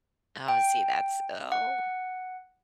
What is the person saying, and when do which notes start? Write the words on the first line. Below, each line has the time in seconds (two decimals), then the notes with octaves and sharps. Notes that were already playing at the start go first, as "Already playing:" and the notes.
Oh, see, that's Oh.
0.48 G5
1.52 F#5